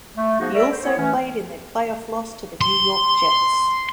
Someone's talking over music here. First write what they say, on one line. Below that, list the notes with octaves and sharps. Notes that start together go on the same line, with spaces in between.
He also played in their playoff loss to the New York Jets.
A3
F3 A#3 B3 D#4 F#4 G#4
B3 A#4 C#5 D5 E5
C5
B3 E4 C#5
E3 A3 C#4
C6